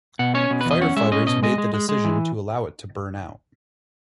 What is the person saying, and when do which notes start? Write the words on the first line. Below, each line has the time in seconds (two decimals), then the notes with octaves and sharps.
Firefighters made the decision to allow it to burn out.
0.19 B2 F#5
0.35 C#4 C#5
0.50 B2
0.61 E2 B4
0.71 D#5
0.81 C#4 F#5
0.97 G#3 E5
1.12 C#4 D#5
1.27 B2 D#5
1.43 G#3 D#5
1.58 G#3
1.74 G#3
1.89 G#3
2.05 E3